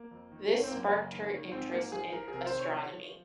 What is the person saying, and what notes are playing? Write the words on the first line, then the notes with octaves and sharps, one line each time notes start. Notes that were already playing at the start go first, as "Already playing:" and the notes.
This sparked her interest in astronomy.
Already playing: A#3
F2
D#3
G#2
C#4
C4
F#2 A#3
C#3
D#3
D#3
G#2 C4
F3 A#3
F3 G#4
F3 A#4
G#4
C3 A#4
C5
D#3
C#5
F3
F3